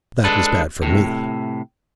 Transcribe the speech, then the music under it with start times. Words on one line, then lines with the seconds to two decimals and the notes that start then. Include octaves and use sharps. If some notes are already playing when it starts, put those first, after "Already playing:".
That was bad for me.
0.24 G#3 D4 A4 B4
0.82 A2 C3